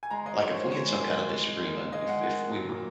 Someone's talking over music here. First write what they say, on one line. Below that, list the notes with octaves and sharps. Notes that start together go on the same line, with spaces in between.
like, if we had some kind of disagreement, if if we were
G#5
G#3 A#5
G#3 D#5
D#3 C#5
D#3 C5
G#3 C#5
G#3
D#3
D#3
G#3
G#3
D#3
D#3
G#3 D#5
G#3 F#5
D#3 F#5
D#3
F#3
A#2